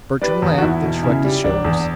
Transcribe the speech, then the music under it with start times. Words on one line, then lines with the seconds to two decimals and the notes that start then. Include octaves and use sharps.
Bertram laughed and shrugged his shoulders.
0.22 G3 B4 D5
0.42 E2
0.58 F#4
0.62 E2 E4
0.83 B2
1.03 C#3 E4
1.25 G3
1.44 E1 D4
1.65 E2